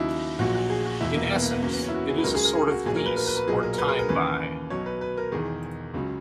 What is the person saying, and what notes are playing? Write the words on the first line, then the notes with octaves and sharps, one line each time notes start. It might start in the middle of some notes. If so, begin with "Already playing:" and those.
In essence, it is a sort of lease or time-buy.
Already playing: D#2 C#3 F#3 D#4 E4
A#1 A#2 F#3 F#4
F#4
G#4
F#4
E1 E2 B2 E4
A#3
B3
A#3
B3
E2 C#3 F#3 A#3
B3
C#4
E4
F#4
G#4
B4
C#2 C#3 F#3 A#4
G#4
A#4
G#4
F#4
A#1 A#2 F#3 G#4
A#4
B4
A#4
B4
B4
B1 A#2 F#3 G#4
A#4
A#4
B4
G#4
A#4
D#2 C#3 E3 B4
B1 B2 F#3 C#5
B4
B4
A#4
E1 E2 D#3 G#4
C#2 C#3 F#3